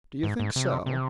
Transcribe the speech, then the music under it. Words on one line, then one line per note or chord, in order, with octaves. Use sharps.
"Do you think so?"
G#2
G#2
C3
C3